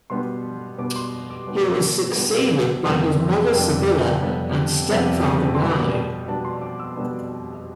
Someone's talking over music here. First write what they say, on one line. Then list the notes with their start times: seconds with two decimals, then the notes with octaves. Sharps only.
He was succeeded by his mother Sibylla and stepfather Guy.
0.10 B2 G3 B3 D4 C6
0.78 B2 G3 B3 D4 D6
0.96 C6
1.30 D6
1.47 B2 G3 B3 D4
2.16 B2 G3 B3 D4
2.84 F2 C3 G3 B3 D4 C6
3.53 F2 C3 G3 B3 D4
4.22 F2 C3 G3 B3 D4
4.90 F2 C3 G3 B3 D4
5.55 C6
5.59 B2 G3 B3 D4 B5
6.28 B2 G3 B3 D4 A5
6.45 C6
6.62 D6
6.79 E6
6.96 B2 G3 B3 D4